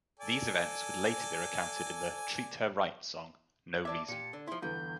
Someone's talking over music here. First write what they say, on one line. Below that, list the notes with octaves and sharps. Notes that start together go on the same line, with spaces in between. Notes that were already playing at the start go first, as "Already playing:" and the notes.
These events would later be recounted in the Treat Her Right song No Reason.
A4 D5 G#5
D5 E5 A5 D6 G#6
A#2 G4 C#7
D3
F3 E4 C6
G1 E2 E3 G6